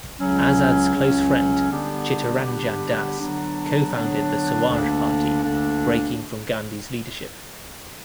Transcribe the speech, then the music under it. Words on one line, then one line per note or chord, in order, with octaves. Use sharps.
Azad's close friend Chittaranjan Das co-founded the Swaraj Party, breaking from Gandhi's leadership.
C#2 C#3 F#3 C#4
C#2 C#3 F#3 C#4
D3 G3 B3 D4 G4
D3 G3 B3 D4 G4
D3 F#3 B3 D4
D3 F#3 B3 D4
D2 D3 A#3 D4
D2 D3 A#3 D4